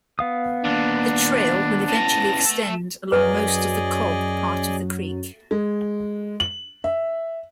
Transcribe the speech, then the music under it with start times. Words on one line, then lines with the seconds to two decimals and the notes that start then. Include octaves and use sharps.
The trail will eventually extend along most of the Cobb part of the creek.
0.19 B3 F5 D#6
0.65 D#2 A#2 D4
1.88 C#3 E3 A5 A#6
2.46 A3 A4
3.12 F#2 F#3 G#4 B4 D5 D#5
5.51 G#3
6.40 F#7
6.84 E5